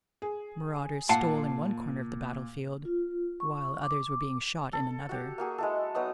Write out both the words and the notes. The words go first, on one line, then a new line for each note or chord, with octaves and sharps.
The marauders stole in one corner of the battlefield while others were being shot in another.
G#4
A#2 F5 F#5 A5
F4
C#6
D6
A4
F#4 G4
A#3 F#4 G#4
G#3 E4 A4
F#3 B3 D#4 D#6